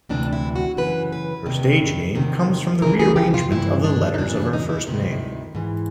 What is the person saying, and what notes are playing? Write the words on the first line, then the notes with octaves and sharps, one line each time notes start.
Her stage name comes from the rearrangement of the letters of her first name.
D2 C3 E3 D4
E4
F#4
F#2 C#3 E3 B4
B4
D2 C3 D#3
E2 C3 D#3
D2 C#3 E3 A#4
G#4
G4
F4
G2 E3 E4
D4
D#4
E2 C#3 E3 D4
D4
D#4
E4
D2 C3 D#3 E4
G#2 E3